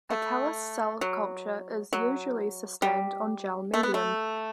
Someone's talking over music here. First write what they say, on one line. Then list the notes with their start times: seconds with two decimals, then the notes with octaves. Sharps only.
A callus cell culture is usually sustained on gel medium.
0.10 A3
1.01 F#3
1.93 F#3
2.82 G3
3.74 A3
3.83 B3
3.94 A3